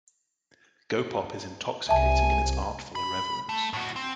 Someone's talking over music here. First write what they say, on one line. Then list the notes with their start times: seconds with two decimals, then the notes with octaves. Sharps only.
Go Pop is intoxicating in its artful irreverence.
1.89 C2 E5 G#5 A5
2.95 B5
3.49 A3
3.73 A2 F#4
3.96 C4